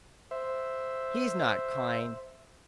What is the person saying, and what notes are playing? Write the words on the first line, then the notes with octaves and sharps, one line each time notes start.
He's not kind.
C5 E5